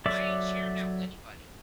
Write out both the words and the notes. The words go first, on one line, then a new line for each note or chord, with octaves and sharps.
I ain't sharing that with anybody.
F#3 A4 D5 E5 D6